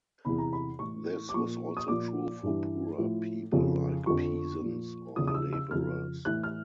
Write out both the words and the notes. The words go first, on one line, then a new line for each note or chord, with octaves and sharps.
This was also true for poorer people like peasants or laborers.
E2 C3 E3 B5
A#5
B5
A2 E3 C#6
D6
A#2 F3 C#6
D#6
A#2 F3 D6
G2 E3
A2 F3
F2 C#3 F3
F2 D3 F3 C#6
A#2 F3
E2 C#3 F3 D#6
D#6
E6
E6
F2 C#3 F3 F6
A2 E3 F#6
F6